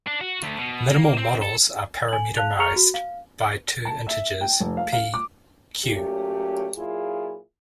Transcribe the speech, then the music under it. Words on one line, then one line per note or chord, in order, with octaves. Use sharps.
Minimal models are parameterized by two integers "p, q".
D4
F#4
D2
B2
A#3
C4
A4
G#5 F#7
F5 A5 F#6 F7
G#4 A#5 C#6 F6 C#7 F7
F#4
F5
A5
E5
G5
F1
F5
F5
D6
A#2 F#3 A3 C#4 G4
A#2 F#3 E4 F4 G#4